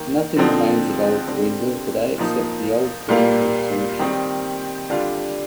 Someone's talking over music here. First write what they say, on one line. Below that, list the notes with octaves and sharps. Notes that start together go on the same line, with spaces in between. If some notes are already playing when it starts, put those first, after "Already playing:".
Nothing remains of Old Greenville today except the Old Greenville Cemetery.
Already playing: D#3 A#3
D3 F3 C4 D#4
D3 G3 C4
A#2 F3 A#3 D#4
A#2 G3 A#3 F4
D#3 G3 C4 D#4
D3 G3 D4 F4